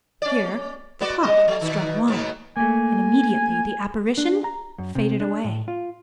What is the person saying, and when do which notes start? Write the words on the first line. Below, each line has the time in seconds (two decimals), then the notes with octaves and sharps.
Here the clock struck one, and immediately the apparition faded away.
0.22 C#4 D5
1.01 B3 F#4 D5
1.22 G3 D#5
1.48 F#3 A3
1.61 B2 D#3
2.08 G#2 B2 B3
2.57 A3 A#3 G#5
4.18 D4
4.44 A#5
4.78 F#2
4.95 C3
5.20 D4
5.44 A2
5.68 F4